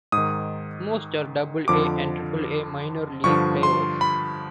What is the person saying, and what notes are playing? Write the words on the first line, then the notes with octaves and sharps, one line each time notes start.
Most are Double-A and Triple-A Minor League players.
G#2 D#6
D#3
F2 D3 F3 D6
G2 D3 F3 C#6
C6
B5